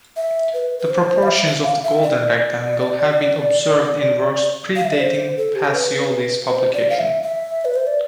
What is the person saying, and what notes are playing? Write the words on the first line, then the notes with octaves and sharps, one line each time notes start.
The proportions of the golden rectangle have been observed in works predating Pacioli's publication.
E5
B4
B4
C5
F5
E5
E5
F5
E5
D5
F5
E5
D5
C5
A4
G4
A4
B4
C5
D5
F5
E5
E5
B4
C5
D5